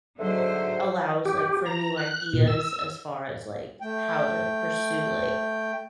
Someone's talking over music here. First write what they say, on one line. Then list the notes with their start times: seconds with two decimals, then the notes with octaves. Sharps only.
allows, like, for new ideas as far as, like, how to pursue, like
0.19 G#2 D3 F#3 C5 E5
1.25 G4
1.66 A#5
1.97 F#6
2.33 A#2
2.47 E6
3.80 A3 G5